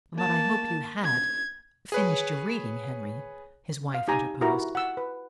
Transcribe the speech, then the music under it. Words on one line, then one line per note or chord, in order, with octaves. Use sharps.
"But I hope you HAD finished your reading, Henry?" his wife interposed.
A#3 A5
G#6
G#4 B4 C#5
F5
D#4 G4 G#5 A#5
E4 F#4 G4 A#4 A#5
F#5 E6
B4